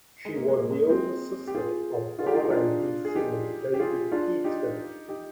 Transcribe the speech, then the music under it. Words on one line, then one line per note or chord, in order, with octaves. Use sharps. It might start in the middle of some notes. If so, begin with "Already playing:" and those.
She was the older sister of R and B singer David Peaston.
G#3
A#3
G#3
A#3
G#3
G#3 C4
G4
F4 G#4
F4 G#4
G4 A#4
F4 G#4
D#4 G4
D4 F4
G#4
D#4 G4
G4
F4 G#4
D4 F4
D#4 G4
D#4 G4